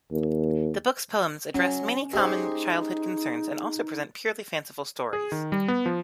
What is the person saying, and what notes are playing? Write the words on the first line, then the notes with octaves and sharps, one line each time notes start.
The book's poems address many common childhood concerns and also present purely fanciful stories.
D#2
F#3 C#4
G#3 D#4 G4 G#4 C5
G#4
D#3
G3
B3
F3